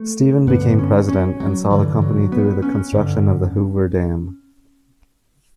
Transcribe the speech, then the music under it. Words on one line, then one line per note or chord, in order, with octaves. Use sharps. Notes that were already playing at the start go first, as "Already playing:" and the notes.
Stephen became president and saw the company through the construction of the Hoover Dam.
Already playing: A3
G2 D3 B3
C#4
C#4
F#3
G2 D3 E3
F#3
B3
C#4
G2 D3